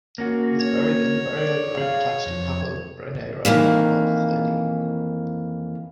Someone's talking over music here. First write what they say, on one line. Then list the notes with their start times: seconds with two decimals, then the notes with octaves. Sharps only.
He is buried in the burial ground attached to Capel Brynaerau, Pontllyfni.
0.18 A#3 C#4 F#4
0.59 C#5
1.37 D5
1.78 G#4 F5
2.26 F2
3.45 F2 D#3 E3 A#3